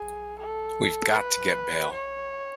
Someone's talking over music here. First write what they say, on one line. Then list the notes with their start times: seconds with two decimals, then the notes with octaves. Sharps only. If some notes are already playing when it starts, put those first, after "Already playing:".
We've got to get bail.
Already playing: G#4
0.38 A4
1.14 B4
1.92 C#5